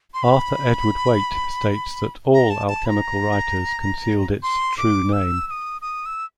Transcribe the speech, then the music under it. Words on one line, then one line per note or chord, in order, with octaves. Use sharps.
Arthur Edward Waite states that all alchemical writers concealed its "true name".
C6
B5
A#5
A5
A5
B5
A#5
C6
D6
E6
E6
D#6
D#6
E6